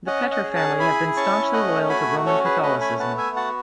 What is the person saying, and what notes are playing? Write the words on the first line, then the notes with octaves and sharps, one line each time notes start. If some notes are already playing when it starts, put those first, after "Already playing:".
The Petre family have been staunchly loyal to Roman Catholicism.
C#4 D#5 F#5
D#5 F#5
G#4
F#5 A5
E4 G#5 B5
C#4 A5 C#6
A3 D#5 F#5
F#4 G#5 B5
C#4 A4 C#5
G#4 B4
A3 B4 D#5
G#5 B5
B3 F#5 A5
E5 G#5
F#4 F#5 A5